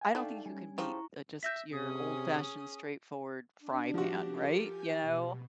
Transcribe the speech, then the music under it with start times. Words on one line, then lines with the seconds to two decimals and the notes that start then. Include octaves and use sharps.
I don't think you can beat uh, just your old fashioned straightforward fry pan, right? You know?
0.01 F5 G5 G#5
0.15 A3 D4 D#4
0.46 G3 C#4 G#5
0.78 C#3 F3 E4 G4 A#5 C#6
1.43 E5 G6 A#6 B6
1.72 C3 C#4 G#4 D#6
3.60 D4
3.94 F3 F#4 G4
4.30 F4 A4 A#4
4.68 G#5 G6
5.01 B2